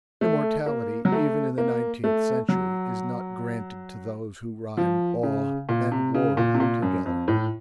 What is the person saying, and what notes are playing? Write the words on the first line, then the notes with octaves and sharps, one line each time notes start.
Immortality, even in the nineteenth century, is not granted to those who rhyme 'awe' and 'war' together.
A3
A#3
F#3
A3
A#3
A3
F#3
F3
C#3
A#2
C3
C#3
A#2
C3
A#2
F#2
F2
A2